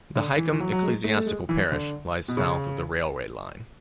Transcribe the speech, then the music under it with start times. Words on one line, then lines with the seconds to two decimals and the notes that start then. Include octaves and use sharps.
The Hykeham ecclesiastical parish lies south of the railway line.
0.16 D3
0.37 E3
0.52 E3
0.60 F#3
0.72 F#3
0.82 G#3
1.04 A3
1.17 A3
1.26 G#3
1.49 E3
1.72 D3
2.28 B2
2.37 C#3